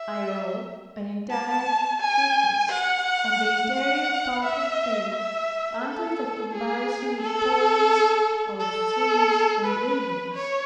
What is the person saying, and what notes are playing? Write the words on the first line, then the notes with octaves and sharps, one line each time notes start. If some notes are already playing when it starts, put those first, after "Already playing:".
I wrote an entire treatise on the interior path of faith, under the comparison of torrents, or of streams and rivers.
Already playing: E5
A5
G#5
F#5
F#5
E5
E5
A4
G#4
A4
A4
B4
C#5